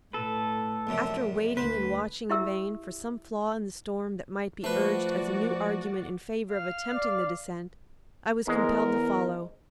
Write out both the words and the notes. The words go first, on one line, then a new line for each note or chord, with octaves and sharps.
After waiting and watching in vain for some flaw in the storm that might be urged as a new argument in favor of attempting the descent, I was compelled to follow.
A2 A4 B4
A#1 F#2 C3
D2 B4 C5
E4 G4 E5 A#5 E6
F3 A3 F#4 B4 C5 D5
F5
D5
E2 G#2 G#3 A#4